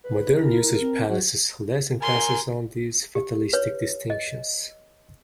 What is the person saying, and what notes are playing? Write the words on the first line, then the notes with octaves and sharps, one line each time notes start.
Modern usage places less emphasis on these fatalistic distinctions.
B4
E4 A#4
C4
F#3 F#4
A#4 G#5 C6
G4
B4 C#5
D#5